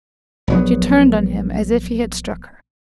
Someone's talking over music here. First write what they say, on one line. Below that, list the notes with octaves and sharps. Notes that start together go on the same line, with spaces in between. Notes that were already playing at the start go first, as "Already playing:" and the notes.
She turned on him as if he had struck her.
A#1 F#3 B3